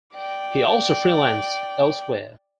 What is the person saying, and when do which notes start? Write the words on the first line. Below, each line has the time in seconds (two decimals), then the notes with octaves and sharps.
He also freelanced elsewhere.
0.14 D5 G5